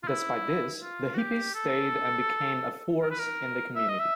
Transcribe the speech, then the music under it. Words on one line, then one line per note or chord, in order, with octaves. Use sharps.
Despite this, the hippies stayed and became a force in the community.
F4
E4
F4
F#4
G4
A4
A#4
B4
A#4
E5
D#5
E5